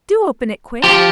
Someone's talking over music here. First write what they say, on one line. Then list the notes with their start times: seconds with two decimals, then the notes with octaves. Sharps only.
Do open it quick.
0.84 F3 G4